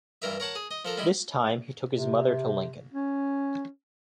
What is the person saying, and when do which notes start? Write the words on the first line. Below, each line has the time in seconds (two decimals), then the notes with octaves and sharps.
This time he took his mother to Lincoln.
0.22 G2 E3 A#4 E5
0.40 A#4 C#5 F#5 A5
0.55 G#4
0.71 D#5
0.85 F3 A4 A#4
0.97 G3 G#3 E4
1.93 C3
2.93 C#4